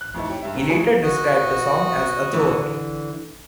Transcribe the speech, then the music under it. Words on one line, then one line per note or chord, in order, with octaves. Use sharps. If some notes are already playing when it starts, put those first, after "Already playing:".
He later described the song as "a throwaway".
F#6
F2 A2 E3 A3 D#4
G4 C#5
G2 E5
C3 A#3 G4
A3 A#3 F#4 G#4 B4
F#4 D#5
D3 E3